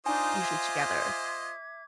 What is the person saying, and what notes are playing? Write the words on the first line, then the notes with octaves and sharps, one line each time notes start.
usually together.
D4 D#4 F4 C5 D#5 G#5 C#6
E5 D6 G#6